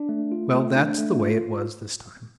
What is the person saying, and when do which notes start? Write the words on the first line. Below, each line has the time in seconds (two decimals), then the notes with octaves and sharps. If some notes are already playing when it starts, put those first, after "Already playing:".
Well, that's the way it was this time.
Already playing: D4
0.09 A3
0.32 F4
0.53 A3
0.76 D4
0.98 A3
1.20 F4